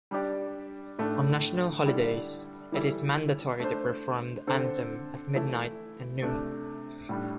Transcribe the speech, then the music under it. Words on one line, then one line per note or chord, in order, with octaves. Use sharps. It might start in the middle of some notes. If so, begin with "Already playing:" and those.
On national holidays, it is mandatory to perform the anthem at midnight and noon.
G3 D4 G4 D5
A2 A3 D4
D3 G3 E4 A4 D5
E3 G3 E4 A4
A3 D4 C5
D3 C4 A4 C5
E3 A3 E4
C3 A3 D4
A2 G3 D4